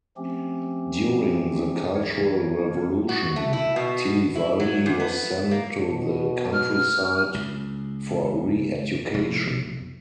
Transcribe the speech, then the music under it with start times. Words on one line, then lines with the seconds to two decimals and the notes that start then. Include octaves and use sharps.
During the Cultural Revolution, Tiliwaldi was sent to the countryside for "re-education".
0.17 F3 A3 C4 C#4 G4
1.96 D2 E3 A#4 C#5
3.09 F#4
3.36 A3
3.53 E4
3.76 B2
4.35 E4
4.60 F#3
4.86 E2
5.00 B3
5.51 A#3
5.89 B2
6.53 F6
7.34 C#2
9.14 F1